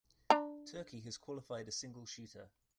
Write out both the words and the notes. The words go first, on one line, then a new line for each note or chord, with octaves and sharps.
Turkey has qualified a single shooter.
D4 A#5